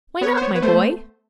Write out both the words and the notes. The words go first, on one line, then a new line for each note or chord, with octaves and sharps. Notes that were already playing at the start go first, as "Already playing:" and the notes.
"Why not, my boy?"
B3 C#5
C5
B3 C#5
B4
A3 C5